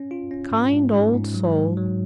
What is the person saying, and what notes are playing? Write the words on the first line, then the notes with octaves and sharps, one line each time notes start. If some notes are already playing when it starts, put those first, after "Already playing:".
Kind old soul!
Already playing: C#4
F4
C#4
G#2
G#2
G#2
G#2
F#3
G#2
F#3